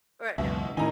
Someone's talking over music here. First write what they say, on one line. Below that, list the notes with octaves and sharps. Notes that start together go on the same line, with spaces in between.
Right now.
C#2 F#2 B2 E5
A2 D#3 D#4 E4 A#4 G#5 A#5